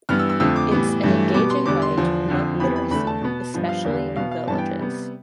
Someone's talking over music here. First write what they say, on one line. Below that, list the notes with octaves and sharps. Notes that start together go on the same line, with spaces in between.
It's an engaging way to promote literacy, especially in villages.
G2 E3 B3 F6
E6
E6
F2 D3 F3 A3 E6
D6
A2 E3 G3 B3
G2 E3 A3
B2 G3 B3 D6
C6
E2 D3 G3 B3 D6
C6
E2 D3 F3
F2 D3 F3
F2 E3 G3 B3 B5
B5
E2 D3 A3 B5
A5
B2 B3
G2 F3 B3
F5
E2 D3 G3
B2 B3 F5
F5
G2 E3 B3 A5
G5
C3 G3 B3